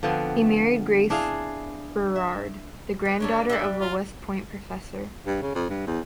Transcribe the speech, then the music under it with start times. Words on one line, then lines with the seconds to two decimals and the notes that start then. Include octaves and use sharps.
He married Grace Berard, the granddaughter of a West Point professor.
0.03 D3 F3 B3 C4
1.10 D4 E4 G#4 F5
2.16 E5
3.05 B4
3.20 G3 A#3 D4 A4 C#5
3.49 G3 D5 E5 E6 F#6
3.80 F4
5.27 G2
5.42 C#3
5.55 F2
5.70 G2
5.87 E2